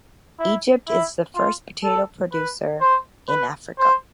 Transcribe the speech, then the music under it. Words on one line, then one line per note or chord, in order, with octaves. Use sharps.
Egypt is the first potato producer in Africa.
E4
E4
F4
A4
B4
C5
B4
C5